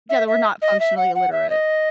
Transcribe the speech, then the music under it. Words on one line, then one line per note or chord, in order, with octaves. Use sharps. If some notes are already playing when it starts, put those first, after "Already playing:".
Yeah, that we're not functionally illiterate.
E5
E5
D#5
E5
F#5
F#5
E5
D#5